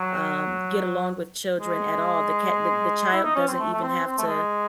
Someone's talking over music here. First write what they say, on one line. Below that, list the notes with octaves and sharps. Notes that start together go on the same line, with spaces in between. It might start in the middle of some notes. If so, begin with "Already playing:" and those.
um, get along with children at all. The cat the the child doesn't even have to
Already playing: F#3
G#3
E4
D#4
C#4
C4
A3
A3
C4
C4
A3
G#3